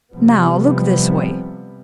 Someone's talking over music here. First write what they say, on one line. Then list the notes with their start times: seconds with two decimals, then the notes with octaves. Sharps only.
Now, look this way.
0.11 C3 F3 G3 B3